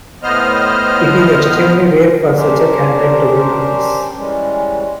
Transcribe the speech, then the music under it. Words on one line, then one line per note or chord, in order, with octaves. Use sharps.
It is extremely rare for such a candidate to win office.
A2 B3 C5 D#5 F6
C#4 D4 G4 A#4 C5
E3 G3 G#3 C#4